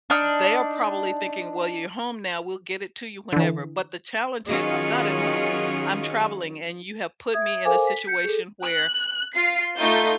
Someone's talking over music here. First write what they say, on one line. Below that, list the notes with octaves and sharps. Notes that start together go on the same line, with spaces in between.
they are probably thinking, "Well, you're home now, we'll get it to you whenever," but the challenge is I'm not at home, I'm traveling, and you have put me in a situation where
D4 D#4 F6
D3 E3
D#3 F#3 C#4 F4 G#4 D#5
E5 D#6 G#6
A4 A#4 C5 F5 G#5 D6
B6
G6 C#7
G#4 A4
F#6
F4 C7
A3 D#4 F4 G6